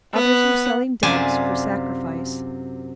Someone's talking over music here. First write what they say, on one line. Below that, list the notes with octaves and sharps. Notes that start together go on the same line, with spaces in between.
Others were selling doves for sacrifice.
B3 F#5
F#2 C3 F4 D5 G#5 A5